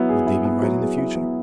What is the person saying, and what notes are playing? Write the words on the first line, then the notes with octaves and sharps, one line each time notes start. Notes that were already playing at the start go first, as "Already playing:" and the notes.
Would they be right in the future?
Already playing: F#3 B3 E4
G#4
E4
B3
F#3
G#4
E4
B3